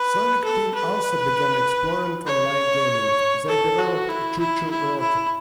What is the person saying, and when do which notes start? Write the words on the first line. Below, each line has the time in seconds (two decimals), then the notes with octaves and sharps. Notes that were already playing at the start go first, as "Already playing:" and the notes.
Sonic Team also began exploring online gaming; they developed ChuChu Rocket!
Already playing: B4
0.44 A4
0.75 B4
2.27 C#5
3.48 A4
3.79 F#4
4.09 E4
4.40 E4
4.71 E4
5.00 E4